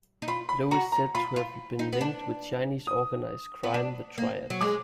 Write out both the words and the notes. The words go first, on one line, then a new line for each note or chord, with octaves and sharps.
Lo is said to have been linked with Chinese organized crime, the Triads.
D#4
F4 B5
B5
F#4 A#5
A#5
F4 B5
F4
D#4
B3
D4
D#6
B3
D4
A#3
F#3
G#3 D6